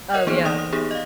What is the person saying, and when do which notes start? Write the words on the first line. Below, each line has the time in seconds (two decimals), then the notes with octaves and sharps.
Oh, yeah.
0.13 A#4 C#5 D#5 F#5
0.27 E3 A#3 B3 D#4 G#4 C5
0.45 E3 D#4 D5 D#6 A#6 F7
0.59 D#6
0.72 B3 D#4 G4 G#4
0.91 D#5 F5